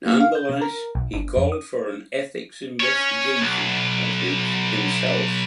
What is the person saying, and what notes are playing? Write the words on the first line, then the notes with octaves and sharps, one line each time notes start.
Nonetheless, he called for an ethics investigation of himself.
A#3
F5
G6
C3
A#4
B1
G1
F2
D#6
C#4 C#5
B1